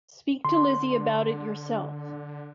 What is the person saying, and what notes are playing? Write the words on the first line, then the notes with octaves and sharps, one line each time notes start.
Speak to Lizzy about it yourself.
D3 C6